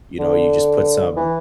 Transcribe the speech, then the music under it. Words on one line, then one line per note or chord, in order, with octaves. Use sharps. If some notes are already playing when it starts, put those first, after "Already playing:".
you know, you just put some
D3
E3